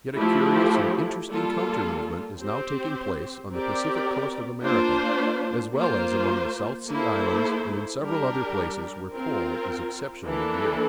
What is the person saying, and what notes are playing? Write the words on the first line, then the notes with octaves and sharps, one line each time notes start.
Yet a curious and interesting counter movement is now taking place on the Pacific Coast of America, as well as among the South Sea Islands and in several other places where coal is exceptionally dear.
F3 A3 E4 G4
G3 A#3 F4 A4
C4 G4 C5
C4 G4 A#4 D5
A#3 D4 F4 C5
A#3 F4 C5
A#3 E4 A4 C5
G3 D4 G4 A#4
C4 F4 A#4
E3 A#3 D4 A4